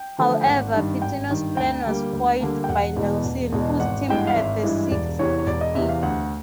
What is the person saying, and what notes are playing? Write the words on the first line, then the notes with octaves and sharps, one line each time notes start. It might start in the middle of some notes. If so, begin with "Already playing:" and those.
However, Pitino's plan was foiled by Nelson, whose team had the sixth pick.
Already playing: G5
D3 F3 A3
G5
G#1 F#5
G2 D#3
G#1 G5
G2 D#3
D2 G5
D3 G3 A#3
D2
D3 G3 A#3
G5
E1 F#5
E2 B2 G#3
E1
E2 B2 G#3
G#1 F#5
G2 E3 G#3 G5
F#5
F5
G#1 E5
G2 E3 G#3
E1 D5
E2 C3 E3 C#5
C#5
E1 D5
D#5
E2 C3 E3 E5
F5
D2 F#5